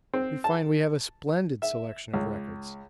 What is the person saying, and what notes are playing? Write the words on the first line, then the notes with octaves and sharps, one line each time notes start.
We find we have a splendid selection of records.
C4
A5
E5
C#2